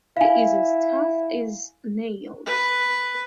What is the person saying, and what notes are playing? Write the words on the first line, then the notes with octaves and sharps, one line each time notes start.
He is as tough as nails.
E4 F5 G#5
B4